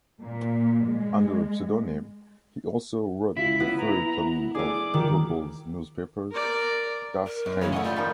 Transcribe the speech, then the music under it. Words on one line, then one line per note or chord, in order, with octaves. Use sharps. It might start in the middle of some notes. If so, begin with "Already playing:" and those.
Under a pseudonym he also wrote the Feuilleton of Goebbels newspapers “Das Reich”.
A#2
G#3
C#2 E4 F4 B6
B3 F4 B4
A#5
A3 D4 G#4 D6
D#3 F3 F#3 A#4
A#4 D5
A#4
F#2
C#3 E3 C#5
A3 D#5 F#5
G3 F4
D#3 F3 G3